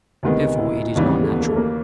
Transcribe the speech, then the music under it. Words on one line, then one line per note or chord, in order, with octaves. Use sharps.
Therefore it is not natural.
D2 C3 D#3 G#3 B3 D#4
E4
D#2 C#3 E3 G3 D#4
C4
B3
A3
B3
A#3
A3
A#3